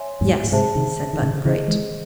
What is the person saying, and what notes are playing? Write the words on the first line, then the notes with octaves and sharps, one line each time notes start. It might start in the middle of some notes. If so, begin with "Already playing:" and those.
"Yes," said Button-Bright.
Already playing: C#5 E5 G#5 C6
E2 G#2
A2
G#2 C3 G#4 C5 E5 A5
C3 D#3
D#3
A2 C#3
C#3 E3 G#4 C5 D#5
E3 G#3